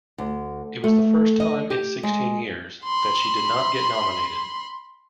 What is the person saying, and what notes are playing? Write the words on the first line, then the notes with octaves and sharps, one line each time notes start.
It was the first time in sixteen years that she did not get nominated.
D2
A3
D#5
G4
G#3
B5 C6